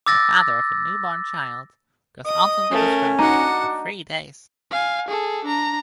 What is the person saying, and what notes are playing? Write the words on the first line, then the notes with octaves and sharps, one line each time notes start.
The father of a newborn child goes out into the scrub for three days.
D6 E6 A6 A#6
D#5 D#6
A3 C#4 A#4
D4 D#4 F#4 F#5
F5 G#5
G#4 A4
D4 A#5